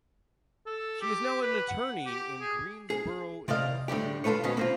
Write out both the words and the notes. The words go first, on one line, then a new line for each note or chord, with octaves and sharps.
She is now an attorney in Greensboro, North Carolina.
A4
G4
B4
F#5
G4
G#4
G#4
C3 D5 D#5 F5
A2 D3 G3 G4
F4 G#4 A4 B4 C#5
B2 D#3 B3 C#4
A#3 C4 F4